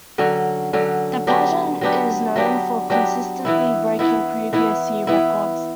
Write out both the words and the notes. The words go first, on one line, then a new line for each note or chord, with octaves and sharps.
The pageant is known for consistently breaking previous year records.
D3 F#3 C#4
D3 F#3 C#4
F#3 B3 D4 G4
F#3 B3 D4 G4
F#3 B3 D4 G4
F#3 B3 D4 G4
E3 B3 E4
E3 B3 E4
E3 B3 E4
E3 B3 E4